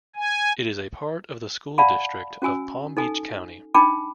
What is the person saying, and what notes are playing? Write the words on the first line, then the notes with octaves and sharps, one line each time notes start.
It is a part of the School District of Palm Beach County.
G#5
D5 F5 F#5 A5 B5
C#4 F#4 G#5 E6
D#4 A4 G#5
D4 D#4 G5 A5 B5 D6